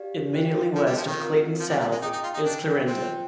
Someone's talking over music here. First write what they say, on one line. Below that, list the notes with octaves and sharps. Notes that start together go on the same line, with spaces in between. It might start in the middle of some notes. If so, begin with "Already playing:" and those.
Immediately west of Clayton South is Clarinda.
Already playing: G4 D5 F5
F4 C5 D#5 G5
F3
G3
F3
D#3
C4 F4 A#4 F5
F3
G3
G3
G#3
D#4 G#4 D#5 G5
D#4
F4
D#4
D4
C4 F4 C5 G5